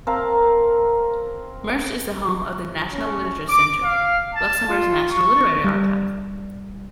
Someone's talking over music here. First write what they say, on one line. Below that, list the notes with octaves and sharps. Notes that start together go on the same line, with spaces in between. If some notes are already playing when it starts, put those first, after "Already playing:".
Mersch is the home of the National Literature Centre, Luxembourg's national literary archive.
C4 A#4 F5 A5
C#4
D6
F5
A5
F4
C#6
G3